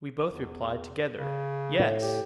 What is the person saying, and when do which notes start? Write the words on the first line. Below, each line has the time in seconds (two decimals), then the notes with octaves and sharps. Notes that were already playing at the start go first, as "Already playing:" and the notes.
We both replied together, 'Yes!'
0.25 E2
1.18 C#3
1.79 A2
2.02 G4